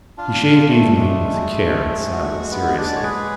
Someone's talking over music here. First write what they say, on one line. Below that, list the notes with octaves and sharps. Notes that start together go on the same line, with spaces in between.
He shaved evenly and with care, in silence, seriously.
D4 F4
F4
D4
A3
G#3 A3
G#3
G#3
F#4
G#3 B3
D4
G#3 D5
C#5
G#4 B4